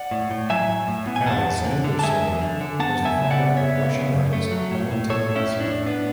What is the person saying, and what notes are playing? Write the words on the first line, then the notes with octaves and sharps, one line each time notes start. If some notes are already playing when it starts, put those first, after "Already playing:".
Alexander Serov was the father of Russian artist Valentin Serov.
Already playing: D5 F#5
A2
A2
F#3 E5 G#5
A2
A2
B3
G#5
E2 F#5 A5
E2
D3
D3
A5
G#3 E5 G#5
E2
D3
D3
B3 F#5 A5
F#2
E5 G#5
C#3
D5 F#5
B3
C#3 C#5 E5
B3
C#3
F#2
A3
F#3
A2
A2
A2 A4 C#5
A2
C#4 E4
A2
D4
A2
B3 D4